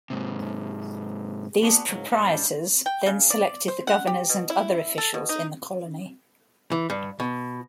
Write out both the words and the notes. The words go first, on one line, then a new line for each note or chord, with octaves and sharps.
These proprietors then selected the governors and other officials in the colony.
G#2 C3
B3 D4 F#4 G#4
G#2 C#3 F#3
G#2 F3 G3 A4
G5
C#3
D5
C5
F#5
G4
B2
E4
A4
B2
D#4
E3
G2
B2